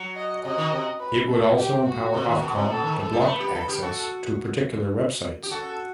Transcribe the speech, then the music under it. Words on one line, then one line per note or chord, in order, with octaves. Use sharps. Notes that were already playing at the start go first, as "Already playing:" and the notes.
It would also empower Ofcom to block access to particular websites.
Already playing: F#3
D#5
C3 D#5
D#3
C3
B4
A4
G4
F#4
C3
D#3
B2
C3
B2 A4
D#3
E3 A4
G3
B3
A3 B4
G4
A4
G4
F#4 A4
G4
F#4 A4